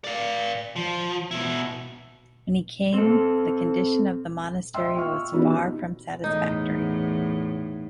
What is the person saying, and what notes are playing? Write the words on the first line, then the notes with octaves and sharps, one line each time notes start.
When he came the condition of the monastery was far from satisfactory.
D5 F5
F3
B2 E4
C4 A4
D#5 E5 G5 C6 E6
F4 G5 C#6 F6
E3 B3 C#4 D#4 F#4 G4
E2 A2 D#4